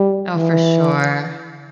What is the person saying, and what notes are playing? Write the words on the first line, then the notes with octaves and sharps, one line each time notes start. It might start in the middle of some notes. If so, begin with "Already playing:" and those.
Oh, for sure.
Already playing: G3
E3